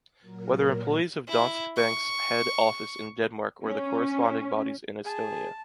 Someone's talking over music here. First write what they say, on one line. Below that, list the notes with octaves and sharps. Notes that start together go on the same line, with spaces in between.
Whether employees of Danske Bank’s head office in Denmark or the corresponding bodies in Estonia?
A#2 F#3 A#4
E4
C#6
C#4
G#4 A5